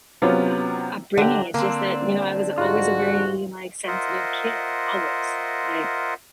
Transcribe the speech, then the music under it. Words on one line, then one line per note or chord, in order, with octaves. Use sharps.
uh, upbringing, it's just that, you know, I was always a very, like, sensitive kid, always, like
C3 F#3 B3 C#4 F4
D3 F#3 G4
D3 A#3 C4
G#2 F4 F#4
F4 A#4 C5 D#5 E5 F#5